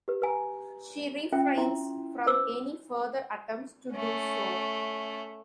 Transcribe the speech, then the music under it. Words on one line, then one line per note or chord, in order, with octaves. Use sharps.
She refrains from any further attempts to do so.
G4 B4
B4 G#5 A#5
C#4 F4 E5 G5
E4 E5 C6
B4 C5 D6 E6
A3 C#4